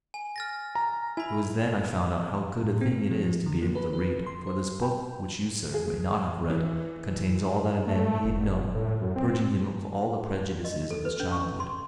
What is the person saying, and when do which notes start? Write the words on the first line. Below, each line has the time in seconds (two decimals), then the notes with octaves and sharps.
It was then I found out how good a thing it is to be able to read, for this book, which you, sir, may not have read, contains all that a man need know--purging him of all the prejudices of his childhood.
0.14 G#5
0.36 F6 A6 A#6
0.75 A#5
1.17 E4 G#5 B5
2.63 A2
2.81 C4
3.10 F3
3.46 D3
3.62 A#3
3.75 B4
3.93 B4
4.27 C6
4.47 C5
4.82 G5
5.74 G#4
6.50 E3
7.87 A3
8.25 F1
8.75 A2
9.02 F#2
9.16 C4
10.64 D#5
10.91 A4
11.05 B4
11.20 C#4
11.32 C#6
11.60 C6